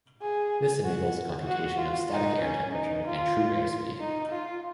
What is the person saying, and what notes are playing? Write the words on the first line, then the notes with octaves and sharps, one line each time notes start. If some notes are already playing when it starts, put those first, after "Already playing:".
This enables computation of static air temperature and true airspeed.
G#4
F#4
F#4
F4
D#4
C#4
D#4
F4
D#4
F4